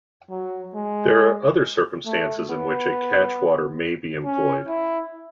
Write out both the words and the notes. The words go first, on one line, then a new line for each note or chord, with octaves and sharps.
There are other circumstances in which a catchwater may be employed.
F#3
G#3
A3
B3
C#4
E4